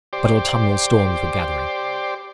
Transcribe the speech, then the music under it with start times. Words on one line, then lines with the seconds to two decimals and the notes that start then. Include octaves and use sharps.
But autumnal storms were gathering.
0.13 G4 C5 D5